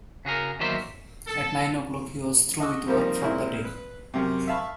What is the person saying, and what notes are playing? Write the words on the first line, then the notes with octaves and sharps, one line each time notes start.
At nine o'clock he was through with work for the day.
C#3 F#4 G#4 A#4
E2 D#3 F#3 A#3 C5 E5
A4
D#5 F#5 C#6 D6 E6
F3 G3 A#3 C4 D#4
A#2 G#3 C4 E4
B4
F#2 C3
E5 F5 A5 B5 C#6